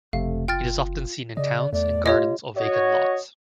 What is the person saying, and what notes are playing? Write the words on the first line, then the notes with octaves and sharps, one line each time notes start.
It is often seen in towns, in gardens or vacant lots.
F#1 F2 C3 A3 F5
F4 G5 F6 A6
C#3 D5 D#5
E2 A3 D5
F4 G4 C#5 D#5
F#4 C#5 D#5